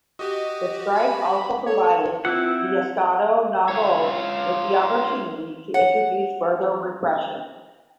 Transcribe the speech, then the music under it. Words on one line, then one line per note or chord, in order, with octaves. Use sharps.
The strike also provided the "Estado Novo" with the opportunity to introduce further repression.
F#4 G4 D#5
B5
A4 C#5
C4 E4 F4 F#5
F4 C#5
C#5 F#5